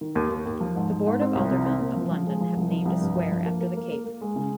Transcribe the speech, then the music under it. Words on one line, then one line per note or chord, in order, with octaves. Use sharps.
The board of aldermen of London have named a square after the cape.
D#3
D#2
D#2
D#2
F3
G#2
G#2
G#2
C4
C2
C3
C4
A#2
F3
F3
G#3
F3
C2
F3
C2
G2
F3
F3
A#3
A#3
A#3
A#3
A#3
G#3
C#3